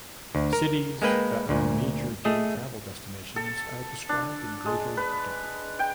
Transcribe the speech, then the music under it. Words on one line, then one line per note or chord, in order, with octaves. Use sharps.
Cities that are major gay travel destinations are described in greater depth.
D2
A#4
G#3 A#3 B4 G5
D2 A#2
A3 G#4 D#5
A4
D4
G#3
B4
G5